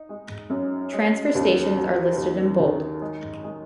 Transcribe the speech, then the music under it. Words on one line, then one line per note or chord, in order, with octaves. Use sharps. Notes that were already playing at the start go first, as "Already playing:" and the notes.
Transfer stations are listed in bold.
Already playing: D#4
G#3
F#2
G#3
D#2
F#3
D#2
D#3
G#3
G#3